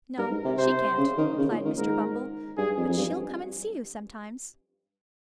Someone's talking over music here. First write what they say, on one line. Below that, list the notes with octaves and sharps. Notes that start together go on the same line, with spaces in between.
'No, she can't,' replied Mr. Bumble. 'But she'll come and see you sometimes.'
G2 A#4
G#2
C3
C3 C5
C#3
D#3
C#3
A#2
D#3
G#2 A#4
G2 G#4
F2
F2
G2